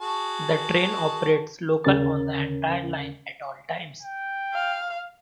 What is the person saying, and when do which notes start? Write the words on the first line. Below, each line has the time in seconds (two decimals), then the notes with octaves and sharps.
The train operates local on the entire line at all times.
0.01 F#4 G#4 A5
1.85 D#2 C#3 C#4 A#4 A6
4.03 G5
4.54 F5